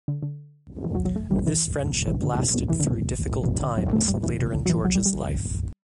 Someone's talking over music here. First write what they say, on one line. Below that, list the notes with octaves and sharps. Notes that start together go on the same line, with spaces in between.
This friendship lasted through difficult times later in George's life.
D3
D3
E3
F#3
F#3
A3
G3
E3
E3
D3
C3
B2
E3
D3
B2
A2
B2
D3
F#3
A3
G3
E3
C3
D3
F#3
E3
F#3
G3
G3